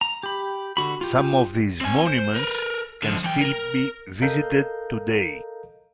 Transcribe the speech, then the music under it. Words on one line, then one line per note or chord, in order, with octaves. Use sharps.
Some of these monuments can still be visited today.
A#5
G4 B5
D3 F#4 B5
F4 G4
C4 G#5
C5
A#4 B4
D3 F3
E3 G5
A#4
A4 A#4 D#5 F5 A#5 G6